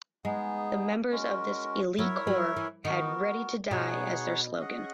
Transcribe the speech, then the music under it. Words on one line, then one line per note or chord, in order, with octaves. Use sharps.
The members of this elite corps had "Ready to Die" as their slogan.
G#3 B3 D#4 G#4
G#3 C#4 F#4 A#4
F#3 E4 A#4 C#5 E5
F#3
E3
D#3 B3 F#4 A#4
B2 D#4 G#4 C#5 F#5
C#4 G#4 D#5 F#5